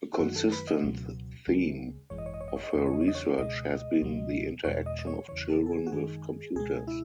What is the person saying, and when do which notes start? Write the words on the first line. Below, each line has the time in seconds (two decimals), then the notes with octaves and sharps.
A consistent theme of her research has been the interaction of children with computers.
0.13 E4
0.19 F#2 D#3 F#3 F#4
0.36 A4
0.52 B4
0.67 D#5
0.83 C#2 B2 F#3
1.47 C#2 C#3 G#3
2.10 G#1 F#2 E3 G#3 C#5
2.18 D#5
2.26 C#5
2.34 D#5
2.41 C#5
2.48 D#5
2.56 C#5
2.63 D#5
2.70 C#5
2.74 E2 C#3 E3 D#5
2.86 C#5
2.93 D#5
3.01 C#5
3.08 D#5
3.15 C#5
3.38 C#2 B2 G#3 D#5
4.02 C#2 B2 F#3
4.64 E2 B2 G#3 C#5
4.86 D#5
4.99 D#5
5.07 C#5
5.28 E2 C#3 E3 C#5
5.50 A4
5.66 A4
5.71 G#4
5.87 F#4
5.92 F#2 D#3 G#3 G#4
6.55 C#2 B2 G#3 G#4
6.87 E4